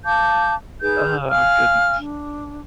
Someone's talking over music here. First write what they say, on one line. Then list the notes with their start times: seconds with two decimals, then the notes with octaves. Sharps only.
Oh, goodness.
0.05 F5 A5 D6 G6
0.82 D#4 G#4 B4 G6
1.31 F5 G#5 F6
1.98 D4